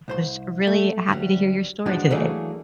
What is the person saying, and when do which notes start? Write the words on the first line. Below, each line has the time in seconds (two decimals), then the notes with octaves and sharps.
was really happy to hear your story today.
0.08 C2 C5 C6
0.67 A3
1.08 D2 F#3 G3
1.86 G2 F3 G3 G#3 D4 F#4
2.10 E3 F#3 A3 A#3 D4 G#4